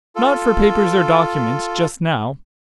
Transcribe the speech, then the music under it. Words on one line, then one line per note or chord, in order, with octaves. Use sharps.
Not for papers or documents--just now.
F4 A4